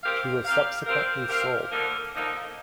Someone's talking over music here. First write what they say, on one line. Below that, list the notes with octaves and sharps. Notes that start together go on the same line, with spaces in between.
She was subsequently sold.
C4 G4 A#4 F5
C4 G4 A#4 F5
C4 G4 A#4 F5
C4 G4 A#4 F5
D3 F3 A#3 D#4 A#4
D3 F3 A#3 D#4 A#4